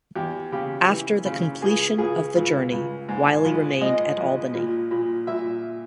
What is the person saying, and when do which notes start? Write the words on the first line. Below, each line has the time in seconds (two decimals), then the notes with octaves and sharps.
After the completion of the journey, Wylie remained at Albany.
0.15 E2 G4
0.52 C#3 G4
0.89 E3
1.25 C#3
1.62 C#2 G#4
1.98 C#2 G#4
2.35 C#2
2.72 C#2
3.09 G#2
3.45 A#1
3.81 G#2 D#5
4.17 A#1
4.54 A#2
4.91 A#2
5.27 A#2 E5